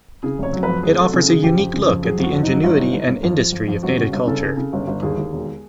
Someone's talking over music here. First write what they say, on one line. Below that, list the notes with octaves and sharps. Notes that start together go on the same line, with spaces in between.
It offers a unique look at the ingenuity and industry of native culture.
C#3 G#4
F1 C#5
F#3
B4
F2
F1 G#4
F#3 A4
C#3 A4
C#3 G#4
F2 G4
F2
C#3
F2
F#3 G#4
F2 F#4
F2
F#3 D#4
G1
E3
G1
G1
F2 F4
F2
F2
F2
G1 F#4
C#3 F#4
G1
C#3 A4
C#3
C#3
G1
G1
D#2 G#4
D#2
E1